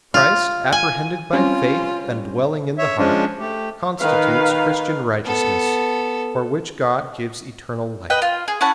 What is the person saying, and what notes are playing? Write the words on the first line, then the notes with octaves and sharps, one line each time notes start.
Christ, apprehended by faith and dwelling in the heart, constitutes Christian righteousness, for which God gives eternal life.
F4
G#5
G3 C4 C#4 F4
C#5 E5
F3 G#3 C#4 D4
A3 G4
D#3 B4 F5
B3 A4
B4 D#5 G5
F4
G#4
C#4 E4 F#5 A5